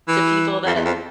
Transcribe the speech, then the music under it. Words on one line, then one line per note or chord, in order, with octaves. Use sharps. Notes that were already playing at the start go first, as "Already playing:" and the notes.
to people that
E3
F2
E2
F2